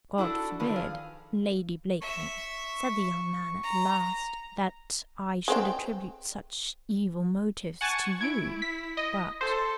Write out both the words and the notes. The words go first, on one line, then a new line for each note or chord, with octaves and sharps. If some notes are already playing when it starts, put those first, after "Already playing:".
"God forbid, Lady Blakeney," said the young man at last, "that I should attribute such evil motives to you, but . . ."
D4 E4 F#4 A4
D3 D#3 F3 D4 A4 B4
G#4 F5
E5 C#6
A#5
G#3 C4 G5
F#5 G#5 A5 C#6
E4 G#6 D7
B6
D#5
A4 C5 C6